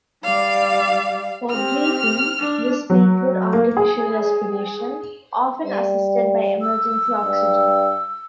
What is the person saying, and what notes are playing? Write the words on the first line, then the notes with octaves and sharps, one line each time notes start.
For breathing, this may include artificial respiration, often assisted by emergency oxygen.
G3 D5 F5
C4 G4 F6
D4
F#3
A#3
G#4
G3
E6
G2